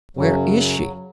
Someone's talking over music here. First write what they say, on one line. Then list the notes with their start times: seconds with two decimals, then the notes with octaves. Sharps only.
"Where is she?"
0.17 F#2 C#3 F#3